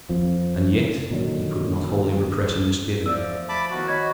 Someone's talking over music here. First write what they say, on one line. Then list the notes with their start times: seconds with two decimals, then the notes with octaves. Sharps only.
And yet he could not wholly repress a misgiving.
0.09 F2 F3
1.11 A#2 D3 D#3 F#3
3.06 D2 F3 D4 D5 E6
3.49 A3 A5 B5 D6
3.71 E2 D#3 F#4
3.88 F2 C#5 D#5 A5 B5 C#6 G#6